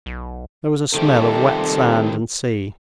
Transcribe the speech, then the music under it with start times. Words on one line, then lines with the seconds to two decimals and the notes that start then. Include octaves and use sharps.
There was a smell of wet sand and sea.
0.06 B1
0.94 F2 C3 D#3 G3 G4 A4